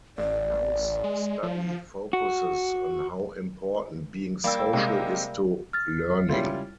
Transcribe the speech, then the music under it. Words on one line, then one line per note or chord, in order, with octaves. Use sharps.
Hung's study focuses on how important being social is to learning.
A1 D5
G#3
F3
F#4
G3 A#3 D5 G5 E6
C3 G#3
F6 A6
C#2 G3 C#4 E4 F4